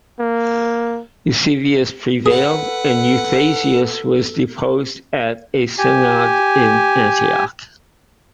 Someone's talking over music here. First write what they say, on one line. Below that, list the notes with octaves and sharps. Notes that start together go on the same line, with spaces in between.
Eusebius prevailed and Eustathius was deposed at a synod in Antioch.
A#3
G#4 A4 B4 F#5
G4 G#5